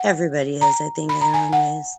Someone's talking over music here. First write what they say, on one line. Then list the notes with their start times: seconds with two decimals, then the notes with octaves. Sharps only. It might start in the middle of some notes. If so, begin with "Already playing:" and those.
Everybody has, I think, in their own ways.
Already playing: F#5
0.61 A#5
1.09 B5
1.21 A#5
1.34 G#5
1.53 F#5